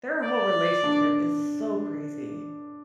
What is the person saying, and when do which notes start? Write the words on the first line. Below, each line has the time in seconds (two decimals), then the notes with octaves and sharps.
Their whole relationship is so crazy.
0.23 D5
0.84 D4